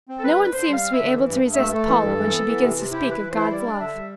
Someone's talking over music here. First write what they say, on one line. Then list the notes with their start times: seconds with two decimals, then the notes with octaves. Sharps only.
No one seems to be able to resist Paula when she begins to speak of God's love.
0.09 C4
0.19 A4
0.24 G3 B4
0.39 D3
0.53 D3 C5
0.68 G3
0.74 F5
0.83 C4
0.94 D3 E5
1.13 E3
1.28 G2
1.43 G2
1.53 A3 E5
1.72 A3 A4
1.87 E3
2.02 G2
2.17 E3
2.32 B3
2.47 E3
2.61 C3
2.77 C3
2.91 E4 G4
3.06 E3 B4
3.21 E3
3.31 C5
3.36 E4
3.51 G3 D5
3.66 D4
3.80 D3 E5
3.95 G3